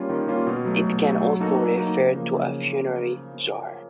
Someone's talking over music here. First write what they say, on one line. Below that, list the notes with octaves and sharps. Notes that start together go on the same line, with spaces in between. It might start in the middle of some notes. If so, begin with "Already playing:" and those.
It can also refer to a funerary jar.
Already playing: G3 A#3 C#4 F4
D#3
G3 A#3 C#4 F4
B2
F#3 A3
B2
F#3 A3
F#3
A#3 D#4 F#4 A4
F#3
A#3 D#4 F#4 A4
C#3
F3 A#3
C#3